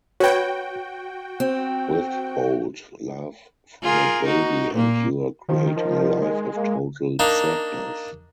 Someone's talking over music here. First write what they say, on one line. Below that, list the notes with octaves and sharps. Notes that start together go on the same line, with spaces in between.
Withhold love from a baby and you're creating a life of total sadness.
F#4 B4 C#5 G5
C4
F4 G#4 A#4
D#4 F#4
A#2 A#3
D#3 F3
D#3 F3
G#3
A#3
A#3 D4 D#4